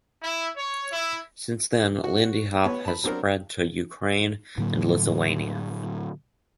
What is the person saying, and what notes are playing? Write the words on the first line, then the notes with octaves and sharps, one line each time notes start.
Since then, Lindy Hop has spread to Ukraine and Lithuania.
E4
C#5
E4
F#4
B3 B4 C#5
A5 B5
F#3 C4 D4 F#4 A#4
A2 D3 F#3 A#3